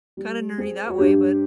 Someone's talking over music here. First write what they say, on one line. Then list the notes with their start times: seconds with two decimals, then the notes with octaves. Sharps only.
kinda nerdy that way, but
0.17 G3
0.58 C4 G#4
0.87 F#4
0.98 G2 G4